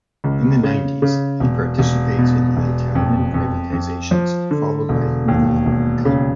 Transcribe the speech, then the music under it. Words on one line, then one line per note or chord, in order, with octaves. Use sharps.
In the nineties, he participates in the Italian privatizations followed by Mediobanca.
C#2
C#3
C#3
E1
E1
B2
E1
F2
F2
F2
F3
D3
E1
D#2
E1
C#3